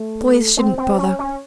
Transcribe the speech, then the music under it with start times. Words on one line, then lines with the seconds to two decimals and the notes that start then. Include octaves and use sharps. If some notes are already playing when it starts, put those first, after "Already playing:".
Boys shouldn't bother.'
Already playing: A3
0.57 C4
0.78 C4
0.98 C#4
1.19 C#4